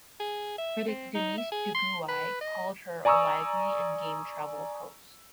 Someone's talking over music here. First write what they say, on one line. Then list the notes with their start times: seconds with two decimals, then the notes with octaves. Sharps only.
Critic Denise Duguay called her a "lively and game travel host".
0.20 G#4
0.58 E5
0.88 C4
1.14 D#4
1.37 E5
1.52 G#4
1.74 C6
2.09 B4
2.41 D#5
3.05 D5 G#5 A#5 C#6 D#6 E6